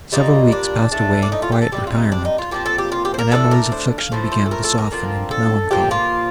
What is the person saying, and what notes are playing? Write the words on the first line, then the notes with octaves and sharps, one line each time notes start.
Several weeks passed away in quiet retirement, and Emily's affliction began to soften into melancholy.
A#2 G3 A#3 D#4
D4
A2 A3 D4
D4
D#4
F4
G4
A4
C3 G3 C4 G4
F4
D#4
D4
D#4
F4
A#2 F3 C4 G4
A4
G4
F4
G4
C5
A#4
A2 A3 D4 A4
A#4
C5
F5
A2 F3 A3 C5
C5
A4
A#4
A4
A#4
D3 F3 C4
A4
A#2 F3 A#3 G4
F4